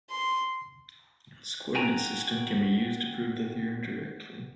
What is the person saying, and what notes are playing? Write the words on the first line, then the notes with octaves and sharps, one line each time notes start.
This coordinate system can be used to prove the theorem directly.
C6
F#4 G5 G#5 A#5